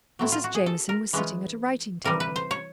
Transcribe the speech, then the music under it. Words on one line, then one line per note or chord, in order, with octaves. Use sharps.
Mrs. Jameson was sitting at a writing-table.
A2 F#3 A3 C4 E4
F4
F#4
G#4
A4
A#4
E3 G#3 C#4 F4
C3 E3 G3 A#4
B4
C5
C#5